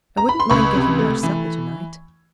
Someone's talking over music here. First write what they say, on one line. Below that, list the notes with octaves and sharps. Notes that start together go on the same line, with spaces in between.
I wouldn't mind getting much supper tonight.
A#5
B5
C6
C#2 B5 C#6
C3
A3
E3